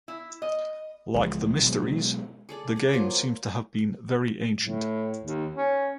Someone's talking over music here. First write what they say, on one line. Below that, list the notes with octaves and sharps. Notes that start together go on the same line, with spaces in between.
Like the Mysteries, the games seem to have been very ancient.
E4
D#5
C#2 E3 F3 G#3
B2 F#3 G#3
G#4 A4 D5
G#4 D5
F3 F#3 A#3 F4
F3
A2
D#2
C#4